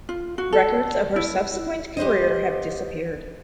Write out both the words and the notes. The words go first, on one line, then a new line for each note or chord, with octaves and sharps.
Records of her subsequent career have disappeared.
F4
F#4
A4
E4
G4 B4 C5 D#5